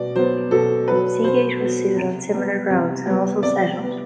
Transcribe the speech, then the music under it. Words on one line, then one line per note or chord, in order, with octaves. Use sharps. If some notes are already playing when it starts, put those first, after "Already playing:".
Seagate was sued on similar grounds and also settled.
Already playing: B2 B3 D5
F#3 B3 C5
B2 A4
F#3 B3 B4
B2 C5
F#3 B3
C3
G3 B3
C3
G3 B3
C3 D5
G3 B3